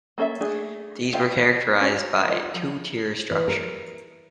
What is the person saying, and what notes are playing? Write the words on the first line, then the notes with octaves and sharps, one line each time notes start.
These were characterized by a two-tier structure.
A#3 C#4 A4 D#5 E5
A3 D4 G#4
F4 G4 C5 F5
C#4 F#4 C#5
F4 D#5 F#5
F3
E3
A#4